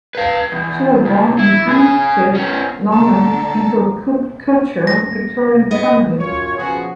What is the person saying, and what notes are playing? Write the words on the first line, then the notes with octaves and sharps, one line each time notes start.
She was born in Hampstead, London, into a cultured Victorian family.
B4 F5
E2
C#2
E4
C#3 G#4
B3 C#4
D3 A4 A#5
A#6
B3 D#5
F#2 F4 C#5
C#3 F3 B3 F#4 G#4